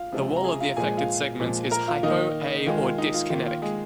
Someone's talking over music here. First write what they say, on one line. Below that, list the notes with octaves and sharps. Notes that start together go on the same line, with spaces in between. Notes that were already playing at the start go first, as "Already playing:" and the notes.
The wall of the affected segments is hypo-, a-, or dyskinetic.
Already playing: F4 F5
C3 F3 G#3
A#5
G#4 G#5
F4 F5
A#2 F3 G#3 G#4 G#5
F4 F5
A#2 F3 G#3
A#4 A#5
F4 F5
D#3 A#3 D#4 D#5
D#3 G#3 F4
F4
D#4
F4
D#3 A#3 F4
F4
G#3 G#4